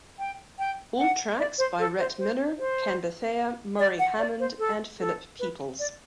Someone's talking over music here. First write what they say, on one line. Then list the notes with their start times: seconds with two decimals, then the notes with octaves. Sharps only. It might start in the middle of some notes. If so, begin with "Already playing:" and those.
All tracks by Rhett Miller, Ken Bethea, Murry Hammond and Philip Peeples.
0.19 G5
0.59 G5
0.98 F#5
1.39 D5
1.58 C5
1.79 A4
1.99 C5
2.18 C5
2.59 C5
3.79 D5
3.99 F#5
4.19 D5
4.40 C5
4.59 A4
4.99 A4
5.39 B4
5.79 D5